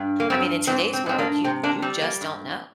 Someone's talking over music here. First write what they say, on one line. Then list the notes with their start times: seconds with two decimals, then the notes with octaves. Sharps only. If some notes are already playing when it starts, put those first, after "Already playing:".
I mean, in today's world, you you just don't know.
Already playing: G2
0.20 A#3
0.30 G2 C4
0.67 G#2 C4
0.93 C4
1.06 G#2 C4
1.18 A#3 D4
1.44 C3 C4
1.63 A#3 D4
1.82 G3 C4
2.02 A#3
2.21 G2